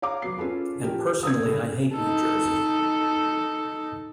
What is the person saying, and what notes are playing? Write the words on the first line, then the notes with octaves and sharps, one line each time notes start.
And personally I hate New Jersey.
C#5 F5 A#5 D6
F#3 B3 C7
C#4 F4 G#4 A4 B4
F3 G4 A#4
D#6 E6 G#6
G1 C#2
D#4 A4